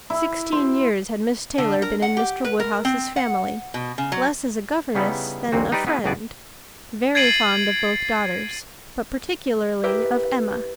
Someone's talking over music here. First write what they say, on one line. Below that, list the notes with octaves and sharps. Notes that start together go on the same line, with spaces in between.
Sixteen years had Miss Taylor been in Mr. Woodhouse's family, less as a governess than a friend, very fond of both daughters, but particularly of Emma.
E4
C5
D3
A#4
F#5
G4
B4
A#4
C4
F#5
B2
C#3
F#3
C#3 G3 B3 D#4 E4
A#1 D#2 A#2 C4 F#4
G3 D#4 G4 B4 D5
B3 C#4 E4 G#4 B4
C#2 A2 B3 F#4 G#4 D5
G#6 A6 C7 D7 D#7 F#7
E4 G4 A#4 B4 E5